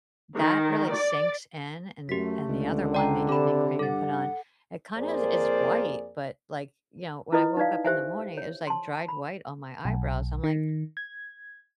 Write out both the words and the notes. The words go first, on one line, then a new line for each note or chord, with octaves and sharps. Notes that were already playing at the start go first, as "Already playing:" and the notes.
that really sinks in and and the other one, the evening cream you put on, it kind of is bright but like, you know, when I woke up in the morning it was like dried white on my eyebrows. I'm like,
D#3
D5
F#2 A3 G4 B6
C#2 D3
G#3 D5 G5 A#5
C3 A4 D5 B5
G2 A4 F#5 A6
F2 A#3 G#4 A#4 C5 D5
E4 F4 B4 D#5 D#6
D#4 B4 D5 F5
G4 C5 E5 G#5
C#5
A5 C6
B5
B1
D#3
G#6